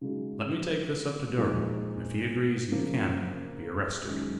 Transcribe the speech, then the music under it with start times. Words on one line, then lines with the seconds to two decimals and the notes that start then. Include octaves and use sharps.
"Let me take this up to Durham, and if he agrees you can be arrested."
0.01 C#3 G#3 D#4 F#4
1.37 A#2 F3 G#3 D#4
2.72 C#3 F3 A#3
4.07 F#2 D#3 G#3 D#4 G#4